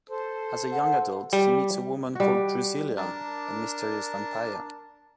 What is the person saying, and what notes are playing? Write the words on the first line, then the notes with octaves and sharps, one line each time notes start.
As a young adult, he meets a woman called Drusilla, a mysterious vampire.
A4 C5
F#5
G3
G3 F#4
D4 A#4 A5